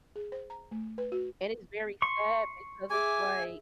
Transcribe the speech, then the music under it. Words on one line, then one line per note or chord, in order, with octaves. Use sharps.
And it's very sad because it's, like
G#4
C5
A#5
A3
B4
F#4
C6 C#6
G#4 E5 G#5 D6